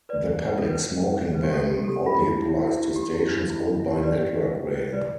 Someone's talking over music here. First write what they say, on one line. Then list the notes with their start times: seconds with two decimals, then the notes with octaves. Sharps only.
The public smoking ban only applies to stations owned by Network Rail.
0.09 B4 D5
0.27 C5
0.45 B4
0.58 A4
0.70 B4
1.17 C5
1.34 B4
1.44 G4
1.53 A4
1.71 G4
1.84 A4
1.88 G4
2.06 F4
2.24 E4
2.42 E4
2.60 E4
2.71 D4
2.77 E4
2.96 G4
3.14 E4
3.31 D4
3.50 E4
3.67 D4
3.80 E4
3.91 G4
4.03 B4 D5
4.75 C5
4.93 B4 D5